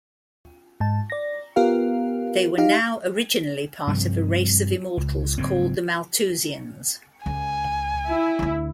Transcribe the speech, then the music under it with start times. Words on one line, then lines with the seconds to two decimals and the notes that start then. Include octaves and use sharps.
They were now originally part of a race of immortals called the Maltusians.
0.80 G#2 A5
1.10 D5 A#6
1.56 B3 F4 G4 A#4 F5
2.58 D#4 G4 F5 F6
3.87 G2 C3 F3 G3
4.97 C#2
5.38 F#1 G#2 C4
7.26 C#2 G#5
8.08 E4
8.39 D2 D4